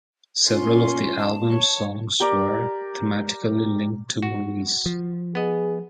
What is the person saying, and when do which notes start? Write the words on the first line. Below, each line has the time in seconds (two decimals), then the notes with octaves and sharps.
Several of the album's songs were thematically linked to movies.
0.49 C#4 F4 C6
1.18 A5
1.50 C#5
2.20 G4 A#4 D5
4.22 F#4
4.86 F3
5.35 B3 G#4 D#5